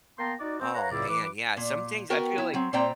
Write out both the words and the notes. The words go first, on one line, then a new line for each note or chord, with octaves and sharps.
Oh, man, yeah, some things I feel like
A#3 B3 G5 A5 A#5 C6
D#4 F#4 D5
C4
B4 C#5 F5 F#5 A#5
C#2 A2 C#3 A#3 E4 D5
E3 B4 D6
A#2
B3 F#4 A#4 G5
E4
F#3 C4
A#2 C4 C5 D5 G5 A#5